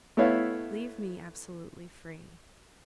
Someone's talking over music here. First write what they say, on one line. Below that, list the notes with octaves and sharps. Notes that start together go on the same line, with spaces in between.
Leave me absolutely free.
A3 B3 E4 C#5 F5